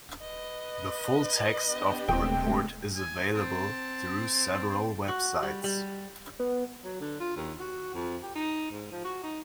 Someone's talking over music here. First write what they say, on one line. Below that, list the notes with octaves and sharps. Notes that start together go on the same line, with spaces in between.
The full text of the report is available through several websites.
B4 D#5
B3 D4 G4
D#1 C3 G#3 A3 C4 G5
G#5
C4 A5
F#4
G3
G3
B3
F#3
D3
F4
D#2
F#4
F2
G4
D#4
G#2
F3
F#4
D#4